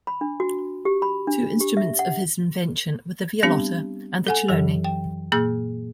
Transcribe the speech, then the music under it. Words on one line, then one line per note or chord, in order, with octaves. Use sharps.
Two instruments of his invention were the violotta and the cellone.
B5
D4
F#4
G4
B5
D4
G4
E5
F#5
G3 B3 C4 D4 G4
A4 F#5 G#5
F#2 E3 F#3 G4
G5
A#2 A#3 G#4 E6 G6